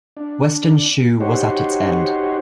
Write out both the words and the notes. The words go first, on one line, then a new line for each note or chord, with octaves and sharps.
Western Shu was at its end.
D4
D#4 F#4 G4 C5 C#5